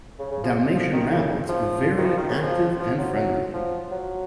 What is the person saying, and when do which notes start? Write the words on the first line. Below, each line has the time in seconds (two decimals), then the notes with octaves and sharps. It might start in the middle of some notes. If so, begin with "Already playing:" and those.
Dalmatian rabbits are very active and friendly.
0.19 C#3
0.31 C#3
0.44 F3
0.75 F3
0.93 D#3
1.12 C#3
1.49 F3
1.98 D#3
2.05 F3
2.18 D#3
2.29 C#3
2.42 F3
2.80 F3
2.98 F#3
3.17 F#3
3.53 F3
3.91 F#3